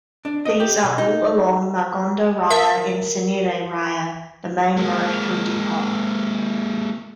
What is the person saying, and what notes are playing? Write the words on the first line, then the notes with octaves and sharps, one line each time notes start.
These are all along Margonda Raya and Cinere Raya, the main road through Depok.
D4
D#5
G4
B2
D#4
A#4 E5
G#3 A#3